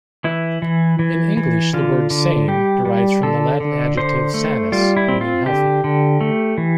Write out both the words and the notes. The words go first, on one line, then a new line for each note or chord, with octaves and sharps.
In English, the word "sane" derives from the Latin adjective "sanus" meaning "healthy".
E3 E4
E3
E3
E3
D3 F4
D3
G3 G4
G3
D3 A4
D3
D3 C5
A3
G3 F4
E4
C4
F4
D3 G4
D3
A3
E3